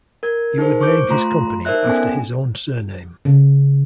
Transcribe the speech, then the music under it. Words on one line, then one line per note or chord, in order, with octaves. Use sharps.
He would name his company after his own surname.
A#4 G#6
D#4 G#4 A#4 C5
C5 C#6 D6 G6 D7
A3 F4 A#5 C6
D#4 A#4 C5 D5 E5 F#6
B3 C#4 A4 G#5
C#3